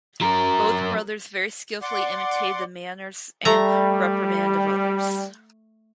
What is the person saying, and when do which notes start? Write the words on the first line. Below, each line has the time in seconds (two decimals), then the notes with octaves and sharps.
Both brothers very skillfully imitated the manners and reprimand of others.
0.21 F#3 A#4
1.82 D5 F#5 C6 D6
3.45 G3 A3 A#5